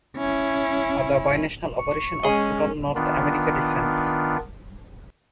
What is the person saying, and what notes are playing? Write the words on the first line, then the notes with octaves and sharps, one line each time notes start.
The bi-national operation of total North America Defense.
C#4 E4
C#6
G#3 C#4 G#4 D#5
D#3 B3 D4 F4